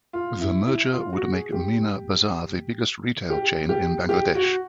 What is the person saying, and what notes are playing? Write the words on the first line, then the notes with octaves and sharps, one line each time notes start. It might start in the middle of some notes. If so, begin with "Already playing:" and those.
The merger would make Meena Bazar the biggest retail chain in Bangladesh.
F4
E4
E4
F4
F#4
G#4
G4
G4
G4
G4
F#4